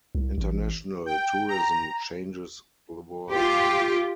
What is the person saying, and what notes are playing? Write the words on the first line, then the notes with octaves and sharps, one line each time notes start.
International Tourism changes the world.
C2
A1
G5
A#5
F4 G4